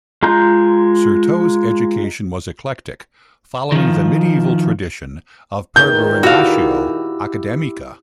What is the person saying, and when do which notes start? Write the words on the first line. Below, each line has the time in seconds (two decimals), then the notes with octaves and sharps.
Certeau's education was eclectic, following the medieval tradition of "peregrinatio academica".
0.23 G#3 F4 A#5 G6
3.72 D#3 F3
5.76 E2 A#2 D#3 G6
6.23 E4 F#4 G4 F5 E6